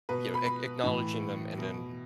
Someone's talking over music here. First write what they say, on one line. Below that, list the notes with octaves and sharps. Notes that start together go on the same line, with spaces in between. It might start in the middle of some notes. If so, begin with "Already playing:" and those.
you know, ac acknowledging them and then
B2 B4
B5
B5
A2 E3
B2